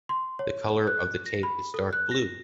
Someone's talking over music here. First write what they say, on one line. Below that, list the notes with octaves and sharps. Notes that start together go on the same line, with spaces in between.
The color of the tape is dark blue.
C6
C#5
F#6
A#6
B5
A4
F#6
A#6